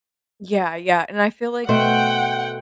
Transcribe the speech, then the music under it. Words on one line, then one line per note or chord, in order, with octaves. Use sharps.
Yeah, yeah, and I feel like
B2 A3 C5 F#5 G5